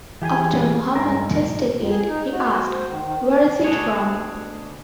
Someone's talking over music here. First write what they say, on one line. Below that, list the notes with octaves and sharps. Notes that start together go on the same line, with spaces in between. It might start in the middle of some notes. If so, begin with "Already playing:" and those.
After Muhammad tasted it, he asked, Where is it from?
E3 G4 G#4 G#5
G2 G#3 C4 A#4
F2
G#4
D#4
F#4
C5
D#3
D#3
D2 B2 D#3 D4 G#4 C#5